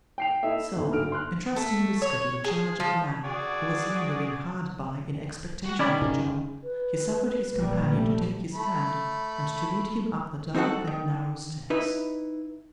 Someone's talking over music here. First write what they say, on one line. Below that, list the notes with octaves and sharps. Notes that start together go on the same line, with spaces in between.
So, entrusting Whisker to the charge of a man who was lingering hard by in expectation of the Job, he suffered his companion to take his hand, and to lead him up the dark and narrow stairs.
G5 C7 F7
E4 A4 D#5 E5
G1 D#2 A3
D2 G2 F6 D7
C6 F6 F#6
A3
C#5
G#4
F3
F#4 G#4 D5
F#4 F#5
D#3 C#4 D5 B5
C#3
B4
A#1 G3
A3
A3 B5
C4 D#4 F#4 A4 F#5
D#3
D#4 E4 B4